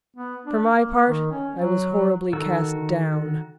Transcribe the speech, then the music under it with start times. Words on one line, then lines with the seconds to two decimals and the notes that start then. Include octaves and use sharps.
For my part, I was horribly cast down.
0.16 B3
0.45 D4
0.66 A#3
1.08 D#3
1.32 C#4
1.54 F#3
2.33 D#3 F#4 A4 E6